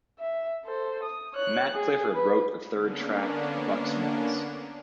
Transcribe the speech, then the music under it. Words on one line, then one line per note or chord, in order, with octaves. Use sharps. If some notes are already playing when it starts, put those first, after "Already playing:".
Matt Clifford wrote the third track, "Buck's Mills".
E5
A4 C5
D#6
C#5 F#6
G#4
B4
D3 A#3 B3 C#4 D4